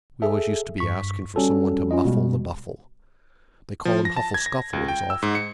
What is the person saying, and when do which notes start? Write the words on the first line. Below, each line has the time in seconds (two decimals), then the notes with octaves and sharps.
We always used to be asking for some one to muffle the Buffle. They call him Huffle Scuffle at his office.
0.22 G#4 A4 E5
0.78 G2 C#6 B6
1.36 G3 C#4 F#4 A4
1.91 C#4 F4 D#5
2.05 B2 G3 G#3
3.85 F3
4.05 A#6
4.16 A5
4.34 G#6
4.46 A#6
4.73 C#2
4.88 G5
5.10 E6
5.22 G#2
5.35 C#7